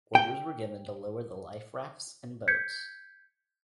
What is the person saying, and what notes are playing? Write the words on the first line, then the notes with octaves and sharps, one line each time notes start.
Orders were given to lower the liferafts and boats.
G5
G6 G#6 B6 C#7